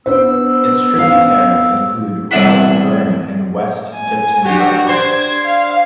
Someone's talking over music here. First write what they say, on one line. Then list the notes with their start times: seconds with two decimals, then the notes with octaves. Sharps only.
Its tributaries include Rowley Burn and West Dipton Burn.
0.06 B3 D4 B4 C5 E6
0.99 F5
2.31 C2 E3 D4 E5 F#5 B5
3.95 G#5
4.45 D4 F#4 G4
4.89 D4 C5 G#6
5.45 F5